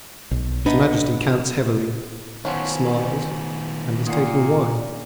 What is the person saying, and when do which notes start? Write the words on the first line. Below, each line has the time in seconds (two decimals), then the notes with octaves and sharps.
His Majesty counts heavily, smiles, and is taking wine.
0.31 B1
0.66 B3 D4 D#4
2.45 D#3 F3 F#3 B3 C#4
4.07 A#2 A#3 F#5 C7